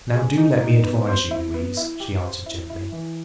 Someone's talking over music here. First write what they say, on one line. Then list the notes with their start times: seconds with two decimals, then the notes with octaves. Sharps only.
'Now do let me advise you, Louise,' she answered gently.
0.14 G#4
0.38 D#4
0.61 D#4
0.84 B3
1.07 C5
1.31 E4
1.54 B3
1.77 E4
2.00 G4
2.23 C5
2.46 E4
2.70 E4
2.92 E3